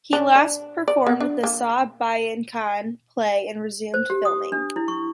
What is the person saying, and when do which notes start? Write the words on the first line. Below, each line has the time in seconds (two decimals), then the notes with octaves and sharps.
He last performed the "Saw Bayin Khan" play and resumed filming.
0.13 D4
0.35 D4
0.88 D5
1.07 B3
1.20 D4
1.43 A#3
3.94 C5
4.10 G4
4.25 D#6
4.52 D4
4.76 E4
4.88 C#6